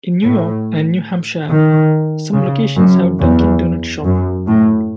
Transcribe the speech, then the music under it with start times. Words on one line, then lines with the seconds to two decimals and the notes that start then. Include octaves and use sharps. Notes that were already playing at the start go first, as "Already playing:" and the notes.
In New York and New Hampshire, some locations have a Dunkin Donuts shop.
0.23 A2
1.50 D#3
2.34 C#3
2.76 F#2
3.19 E2
4.03 F#2
4.47 A2